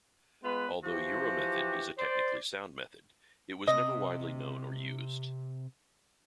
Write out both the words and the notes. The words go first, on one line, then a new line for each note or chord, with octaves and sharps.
Although Euromethod is a technically sound method it was never widely known or used.
G#3 B3 F4 B4
E3 F3 F#4 G4
C5 D5
C3 D#5